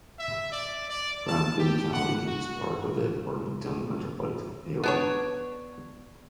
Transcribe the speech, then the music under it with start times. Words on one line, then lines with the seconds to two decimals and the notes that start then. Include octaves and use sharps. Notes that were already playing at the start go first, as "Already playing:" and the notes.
Franklin County is part of the Burlington metropolitan area.
0.19 E5
0.52 D5
0.90 D5
1.27 A5
1.59 G4
1.93 F#5
2.27 F#4
4.84 B3 D4 C#5